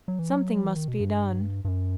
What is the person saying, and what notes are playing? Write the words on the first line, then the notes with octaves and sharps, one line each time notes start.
Something must be done.
F#3
E3
F#3
E3
D#3
B2
G2
G2
F#2